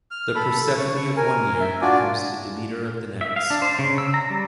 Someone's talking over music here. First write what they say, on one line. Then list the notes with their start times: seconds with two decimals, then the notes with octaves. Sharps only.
The Persephone of one year becomes the Demeter of the next.
0.11 F6
0.35 A4 B5
0.77 C#6
1.17 A#4 G#5
1.60 E5
1.82 D4 F4 F#4 D5 G#5 D6
3.21 E5
3.36 F5
3.50 D4
3.62 C5
3.79 C#3
3.98 E6
4.14 A#5
4.30 G3